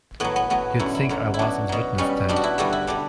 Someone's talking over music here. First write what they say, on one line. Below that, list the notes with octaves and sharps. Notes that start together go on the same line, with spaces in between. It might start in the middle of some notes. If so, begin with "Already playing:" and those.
You'd think I was on the witness stand!
A2 F#3 B3
B3
A2 F#3 B3
F#2 D3 F#3 E4
E4
F#2 D3 F#3
E4
B2 F#3 D4
B2 F#3
B2 G3 C#4
B2 G3 D4
F#4
E4
G2 D3 G3 F#4
E4
D3 G3 D4